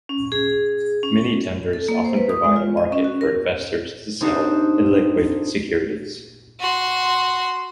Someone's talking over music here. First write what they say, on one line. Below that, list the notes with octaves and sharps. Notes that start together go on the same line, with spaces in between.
Mini-tenders often provide a market for investors to sell illiquid securities.
C#4
G#4
C#4
A4
A#3
C5
B4
D#6
G#3
F4
D#5
C#4
F#4
A#4
C4 D4 D#4 F#4 G4 C5
F#4 C6